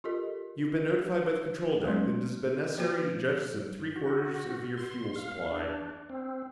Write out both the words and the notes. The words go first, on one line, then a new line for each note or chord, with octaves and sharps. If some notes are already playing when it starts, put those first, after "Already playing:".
You have been notified by the control deck that it has been necessary to jettison three quarters of your fuel supply.
F4 G4 A4 A#4 D#5
F#3 G#3 A3 B3 C#4 D#4
F3 A#3 F#4 B4
F#4
C6
F5
D4
C4